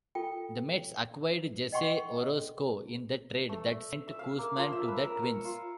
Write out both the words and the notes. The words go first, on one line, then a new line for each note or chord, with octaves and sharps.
The Mets acquired Jesse Orosco in the trade that sent Koosman to the Twins.
F4 A4 G5
D#5 F#5 G5 C6 C#6
A3
E5
F5
A#3
F3
E5
B4
A#4
C#6
F4